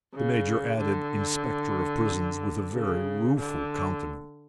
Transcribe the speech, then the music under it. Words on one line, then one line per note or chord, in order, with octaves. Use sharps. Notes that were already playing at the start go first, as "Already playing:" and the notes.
The Major added "Inspector of Prisons," with a very rueful countenance.
C#3
D3
C#3
D3